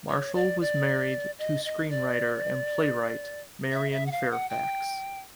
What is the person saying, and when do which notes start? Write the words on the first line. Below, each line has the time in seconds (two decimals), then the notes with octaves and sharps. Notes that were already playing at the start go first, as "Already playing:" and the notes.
Marshall was married to screenwriter and playwright Marion Fairfax.
0.09 C#5
0.35 D5
0.61 D5
1.39 D#5
1.65 D#5
1.90 D5
3.72 E5
3.92 E5
4.06 F#5
4.11 F5
4.31 F#5
4.50 G5